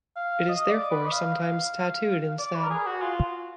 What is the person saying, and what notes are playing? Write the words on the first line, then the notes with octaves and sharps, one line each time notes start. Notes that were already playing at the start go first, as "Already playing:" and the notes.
It is therefore sometimes tattooed instead.
F5
D#5
D5
B4
D#5
F5
D5
B4
A#4
G#4
F#4
F4